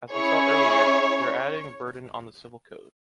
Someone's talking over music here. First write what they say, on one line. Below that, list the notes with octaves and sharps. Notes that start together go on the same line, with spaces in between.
As we saw earlier, we are adding a burden on the civil code.
C#4 E4 G#4 C#5